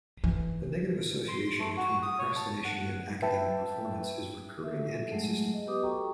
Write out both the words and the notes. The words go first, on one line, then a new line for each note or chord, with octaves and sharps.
The negative association between procrastination and academic performance is recurring and consistent.
E3
C6
A3
F#4
D#6
C#5
A5
F#5
B4 E5 G5 A5
A4 E5
F#3 G#3 A3 G#4
D#5
B3 G4 B4 D#5 D6 D#6
F#4 A4 G5 A#5 C#6